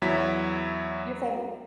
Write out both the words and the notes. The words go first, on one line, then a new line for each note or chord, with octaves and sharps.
your family.
E2 F#3 E4 B6